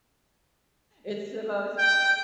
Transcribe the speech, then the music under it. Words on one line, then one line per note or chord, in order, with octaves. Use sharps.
It's the most
G5